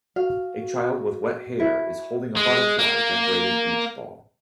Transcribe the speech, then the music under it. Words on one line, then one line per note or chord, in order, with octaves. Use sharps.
A child with wet hair is holding a butterfly decorated beach ball.
F#4 F5
E4
G#3
A#3